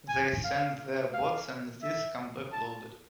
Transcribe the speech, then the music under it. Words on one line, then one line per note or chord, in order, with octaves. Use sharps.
They send their boats and these come back loaded.
G#5
F5
F5
E5
A5